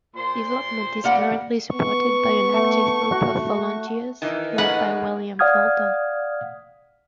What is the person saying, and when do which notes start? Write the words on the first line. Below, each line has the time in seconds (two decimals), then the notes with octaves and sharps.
Development is currently supported by an active group of volunteers led by William Fulton.
0.15 A#2 C5 C6
1.04 G3 A#3 F#5
1.74 B3 C#6
2.53 A3
3.12 F#4
4.22 D#3 E3 D#4
4.58 A2 G#3 A#3 B4 F#5
5.39 D5 F5 F#5 D#6 F6 G#6